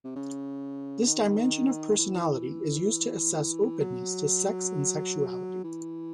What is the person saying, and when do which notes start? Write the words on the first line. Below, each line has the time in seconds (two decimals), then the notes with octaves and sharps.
This dimension of personality is used to assess openness to sex and sexuality.
0.04 C3
0.16 C#3
1.07 D#3
1.98 E3
3.80 F#3
5.64 E3